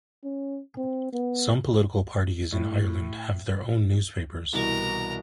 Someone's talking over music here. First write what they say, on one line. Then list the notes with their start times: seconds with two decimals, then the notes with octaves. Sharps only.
Some political parties in Ireland have their own newspapers.
0.24 C#4
0.77 C4
1.12 B3
2.52 A2
4.53 C2 B2 E3 A#4 A#5